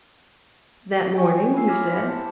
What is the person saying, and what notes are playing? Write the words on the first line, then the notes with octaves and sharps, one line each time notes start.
That morning, he said.
D#5 G5 G#5 C#6
C#5
E4 F4 C#5 G#5 E6 C7
D6 E6 F6 G#6 A#6 B6
E4 G4 C5 C#7
G4 A5 C#7